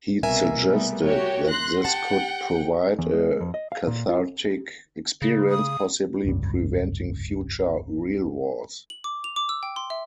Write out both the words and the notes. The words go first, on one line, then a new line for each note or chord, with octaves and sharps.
He suggested that this could provide a cathartic experience, possibly preventing future real wars.
C2 B2 A#4 E5 G#5
G3 A3 B3
F#4 G4 C#5
C6 F#6 A#6
G4 F#5 G5 A5
E2
G#3
F2
D#5
F5
A#2
F4
C#3
D#6
F1 C#2 G2
F#7
D6
F7
D6
E6
G5
C6
E5